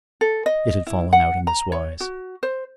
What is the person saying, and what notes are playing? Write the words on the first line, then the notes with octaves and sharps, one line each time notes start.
It had fallen out in this wise.
A4
D#5
E4
F#5
A#5
C#5
F#4
C5